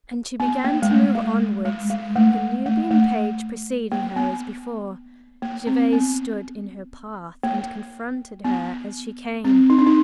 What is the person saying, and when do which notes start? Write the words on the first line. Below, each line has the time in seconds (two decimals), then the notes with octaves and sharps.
And she began to move onwards, her Nubian page preceding her as before. Gervase stood in her path and confronted her as she came.
0.40 B3
0.64 A#3
0.82 G#3
0.90 A3
1.15 G#3
1.65 G#3
1.90 G#3
2.16 A3
2.66 A3
2.91 A3
3.92 A#3
4.16 B3
5.42 A#3
5.67 C4
5.93 B3
7.44 A#3
8.44 B3
9.45 C4
9.70 D#4
9.78 D4
9.87 D#4